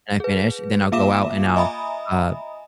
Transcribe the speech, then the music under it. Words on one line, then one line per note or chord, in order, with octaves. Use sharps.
and I finish, then I'll go out and I'll, uh,
G#4 B4
A#3 F4 E5 F5 D6 E7
D#5 E5 G#5 A#5 B5 D#6